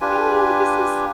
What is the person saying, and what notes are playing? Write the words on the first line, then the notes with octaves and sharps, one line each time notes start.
"Oh, this is"
D4 F4 G4 B4 G#5